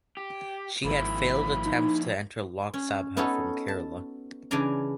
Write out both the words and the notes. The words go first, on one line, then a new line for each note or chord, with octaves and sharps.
She had failed attempts to enter Lok Sabha from Kerala.
G4
G#1 F3 A#3 E4 B5
D#4
C#4
B3 C#4 D#4 F#4 A4 C#5
A5
C#3 E3 D4 D5 G#5 A#5